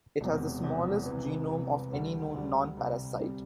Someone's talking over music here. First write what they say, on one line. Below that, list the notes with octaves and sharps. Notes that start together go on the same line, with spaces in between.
It has the smallest genome of any known non-parasite.
E1 E2 C3
E1 E2 C3
C2 C3 E3
C2 C3 E3
D2 D3 G3
D2 D3 G3
C2 C3 G3
C2 C3 G3